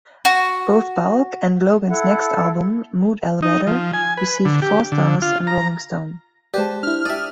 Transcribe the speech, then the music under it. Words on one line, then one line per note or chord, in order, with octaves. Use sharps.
Both Bulk and Logan's next album, "Mood Elevator", received four stars in "Rolling Stone".
F#4
E4 A4 F#5
D#4
F3
G#5
B4
D3
G4
D3
F4
A#5
G#3 G4 B4 C5 D5 A5
D4 E4 F6
D4 G4 D5 E5 D#6